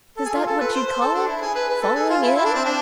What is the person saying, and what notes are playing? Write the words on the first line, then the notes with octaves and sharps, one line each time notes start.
"Is that what you call FALLING IN?"
A4
G#4
F4
A4
B4
C5
C5
A4
D4
E4
G#4
B4
B4
A4
G#4
F4
E4
E4
D4
C4
D4